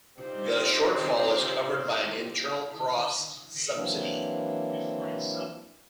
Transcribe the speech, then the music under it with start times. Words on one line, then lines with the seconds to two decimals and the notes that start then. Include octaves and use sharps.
The shortfall is covered by an internal cross subsidy.
0.19 C4 D#4 F4 G4 C5 D5
3.75 E3 F#3 A#3 C4 D4 E4